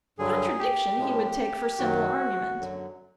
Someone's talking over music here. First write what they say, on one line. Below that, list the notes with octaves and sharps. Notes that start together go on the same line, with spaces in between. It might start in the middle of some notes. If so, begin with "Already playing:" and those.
Contradiction he would take for simple argument.
G2 D3 F#3 G#4
G4
A2 F3 G#3
F#2 D#3 F#3 F#4
F#2 D3 F#3